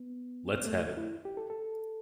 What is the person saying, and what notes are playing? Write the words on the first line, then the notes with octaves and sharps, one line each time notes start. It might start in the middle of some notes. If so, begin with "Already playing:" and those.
Let's have it.
Already playing: B3
A3
E4
G4
A4
A4